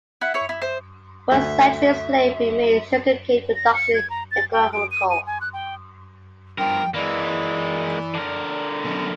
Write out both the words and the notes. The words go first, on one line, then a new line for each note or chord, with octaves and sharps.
For centuries slavery made sugarcane production economical.
E4 F#5
E4 C#5
E4
C5
D2 E5
A#6
C#7
G#6
A#5
A6
G5
D7
D#7
D#7
G#5
F#6
G5
G2 F3 A#4 G5
E3 G#3 A#3 D5
D3 A#4
F#2 B2